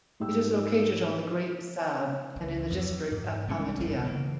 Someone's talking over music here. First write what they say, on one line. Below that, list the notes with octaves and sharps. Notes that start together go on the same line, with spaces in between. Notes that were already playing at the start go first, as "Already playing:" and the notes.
It is located on the Great Zab and in the district of Amadiya.
G#2 G4 G5 E6
C#2
F2 F#3
G#2
C2 G3 G#3 C#4
F#1 C2 G2 C#3
C#3 E3 G3 A#3